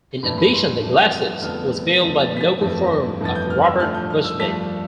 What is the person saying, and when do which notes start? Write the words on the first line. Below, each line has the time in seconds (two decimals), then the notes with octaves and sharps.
In addition the glacis was built by the local firm of Robert Bushby.
0.23 G1 F2 E3 A3 D4 B5
0.38 B5
0.53 C6
0.82 G1 F2 E3 A3 D4
1.42 F1 F2 D3 F3 B3 F6
2.02 F1 F2 D3 F3 B3
2.21 A6
2.37 B6
2.41 A6
2.61 G1 F2 E3 A3
3.21 G1 F2 E3 A3 A6
3.35 G6
3.50 F6
3.65 E6
3.80 G2 F3 A3 D4 F6
3.94 G6
4.10 F6
4.24 E6
4.40 G2 F3 A3 D4 B6